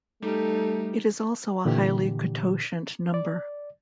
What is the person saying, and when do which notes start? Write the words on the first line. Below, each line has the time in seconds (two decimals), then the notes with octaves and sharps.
It is also a highly cototient number.
0.23 G3 A3 D#4 G4 A4
1.65 A#2 D3 E3 G4
3.14 D5